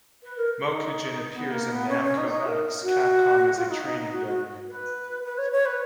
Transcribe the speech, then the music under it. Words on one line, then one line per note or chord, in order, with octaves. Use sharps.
Mokujin appears in Namco x Capcom as a training dummy.
B4
A#4
D#4
B3
A#3
B3
C#4
C#4
D#4
D#4
A#4
F#4
F4
D#4
D#4
D#4
F#4
F#4
B4
B4
C#5
C#5
B4